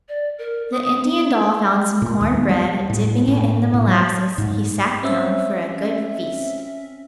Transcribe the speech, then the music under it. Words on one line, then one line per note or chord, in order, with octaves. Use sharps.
The Indian doll found some corn bread and dipping it in the molasses he sat down for a good feast.
D5
A#4
D#6
A#2
D#2
G3
A2
A2
A2
F#3
G#2
C4 C#4 E5